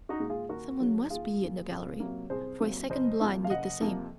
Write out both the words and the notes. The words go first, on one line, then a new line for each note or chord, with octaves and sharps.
Someone must be in the gallery, for a second blind did the same.
D#4 F#4
A#2 G#3
F4 G#4
D#2 F#4 A#4
C#3 F#3 A#3
D#2 F4 G#4
C#3 F#3 A#3
C2
C3 F#3 A#3
C2 G#4 C5
C3 F#3 A#3
F#1 C5 D#5
F2 C3 F3 A#3
F5
F#1 D#5 F#5
F2 C3 F3 A#3